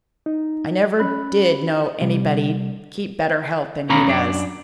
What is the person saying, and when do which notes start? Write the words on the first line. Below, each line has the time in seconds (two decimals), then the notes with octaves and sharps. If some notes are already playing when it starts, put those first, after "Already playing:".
I never did know anybody keep better health than he does.
0.26 D#4
0.99 C#4 B5 F#6
2.01 C3 G3
3.89 D#2 B2 C#4 F5 A#5 B5
4.07 F#2 D4